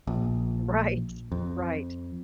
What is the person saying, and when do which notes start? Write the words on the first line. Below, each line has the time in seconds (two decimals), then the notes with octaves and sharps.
Right. Right.
0.07 A#1
1.32 F2